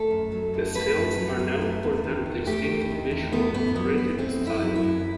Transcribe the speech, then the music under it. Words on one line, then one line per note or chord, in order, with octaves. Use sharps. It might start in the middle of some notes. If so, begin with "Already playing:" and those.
His films are known for their distinctive visual and narrative style.
Already playing: A3 A4
F#2
F#3
F#2
A3 B4
F#2
F#3
F#2
A3
E2
D#3
E2
A3 G4
E2
D#3
E2
A3 B3
F#2 B3
F#3 B3
F#2 B3
A3 C4
F#2
E4
F#3
E4
F#2